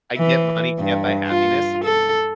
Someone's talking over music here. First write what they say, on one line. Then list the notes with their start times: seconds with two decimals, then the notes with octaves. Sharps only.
I get money can't buy happiness,
0.17 E3
0.79 G2
1.28 F4
1.84 A4